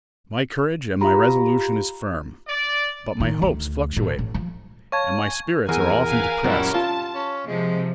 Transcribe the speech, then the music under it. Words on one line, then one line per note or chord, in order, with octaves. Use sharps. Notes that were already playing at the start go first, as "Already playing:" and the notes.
My courage and my resolution is firm; but my hopes fluctuate, and my spirits are often depressed.
F4 G4 A#5 B5
D5
D#3
D2
A2
A1
F3
C#5 F5 A5 C#6 G#6
G#5
E2 A#4 G#5
B4 F5 G#5
F#2 A#2 G3 C#4 E4
F4 A5
C#4
C3 F3 G#3